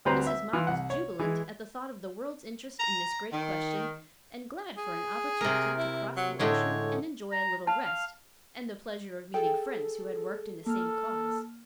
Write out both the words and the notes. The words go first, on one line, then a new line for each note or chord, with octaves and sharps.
Mrs. Mott was jubilant at the thought of the world's interest in this great question, and glad for an opportunity to cross the ocean and enjoy a little rest, and the pleasure of meeting friends who had worked in the same cause.
D2 G3 C4 B4 C5 A#5
E5
E3 F4
C2 F#5
C#5
E3 G#3
A#5
D#3
G#4
C3 A#4
E4
F#3
A2 D3 G#3 C#5
A#5
F5 A5
F5
G#4 A4 G5
A#3 A4 F6